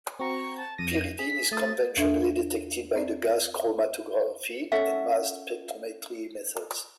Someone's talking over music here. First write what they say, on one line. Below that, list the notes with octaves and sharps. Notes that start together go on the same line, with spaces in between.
Pyridine is conventionally detected by the gas chromatography and mass spectrometry methods.
C4 F#4 A#5 C#6
A5
F2 A#6 D#7
G#4 B6
A3 D#6 A6
E2 D4 A4 E5
C4 D5
C#4 A4 E5 F#5